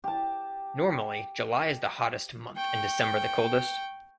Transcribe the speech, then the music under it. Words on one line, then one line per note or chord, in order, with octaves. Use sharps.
Normally July is the hottest month and December the coldest.
G4 A5
G5 C#6